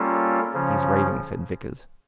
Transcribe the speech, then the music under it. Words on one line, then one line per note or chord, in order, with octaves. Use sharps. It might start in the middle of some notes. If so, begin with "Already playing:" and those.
"He's raving," said Vickers.
Already playing: G3 A#3 C#4 F4 A4
C#3 F3 C#4